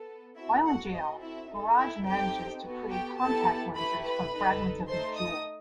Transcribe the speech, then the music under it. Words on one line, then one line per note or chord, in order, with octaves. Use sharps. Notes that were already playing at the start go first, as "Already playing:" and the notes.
While in jail, Mirage manages to create contact lenses from fragments of his jewel.
Already playing: B3 A4
C4 E4 F#4 A4 E5
F#4 F#5
C4 F#4 A4 D#5
E4 E5
D#4 A4
E4 E5
C4 D#4 G4 A4 G5
B3 F#4 A4
G4 G5
B3 E4 G4 A4 A5
A3 E4 G4 B4 B5
B4 B5
D#4 A4
A3 D#4 A4 C5 C6
D#5 D#6